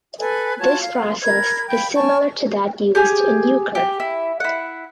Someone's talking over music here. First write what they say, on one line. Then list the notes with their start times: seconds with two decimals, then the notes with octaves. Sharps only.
This process is similar to that used in Euchre.
0.19 A4 B4 G#5
0.60 F4 F#4 C#5 A5
0.81 F5
1.24 A#4 B5 G#6
1.68 F5 G5 B5
1.95 C#5 G#5 A5 C#6
2.95 G4 G#4 G#5
3.75 G4
4.00 E4
4.40 E4 F#5